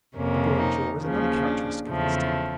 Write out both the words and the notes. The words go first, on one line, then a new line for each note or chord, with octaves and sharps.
A broad jaw is another characteristic of this type.
F2 C3 F3 A#3 C#4
D#4
D#2 C#3 F3
D4
E2 C#3 F3 A3